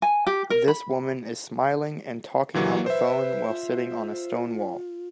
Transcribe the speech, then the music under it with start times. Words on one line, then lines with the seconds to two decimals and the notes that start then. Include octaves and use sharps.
This woman is smiling and talking on the phone while sitting on a stone wall.
0.02 G#5
0.27 G4
0.50 A#4
0.68 B5
2.54 A#2 E3 F#3 G4
2.86 B4 C5 E5
3.48 F4